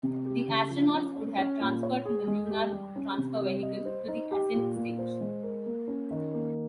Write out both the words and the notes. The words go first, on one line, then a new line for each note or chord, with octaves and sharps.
The astronauts would have transferred from the lunar transfer vehicle to the ascent stage.
C3
G4
C#3
F3
C#4
C#4
C#4
A#2
C#5
G#4
G#3
G4
G3
C#4
C3
G3
D#5
C5
D#4
G4
A#2
A#2
C5
G#3
A#4
A#3
C#4
D#3
A#3